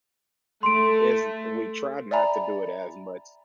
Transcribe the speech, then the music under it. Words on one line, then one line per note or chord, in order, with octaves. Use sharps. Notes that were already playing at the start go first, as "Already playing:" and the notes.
is we tried not to do it as much
A3 C6 D7
D5 E5 G#5 A#5 B5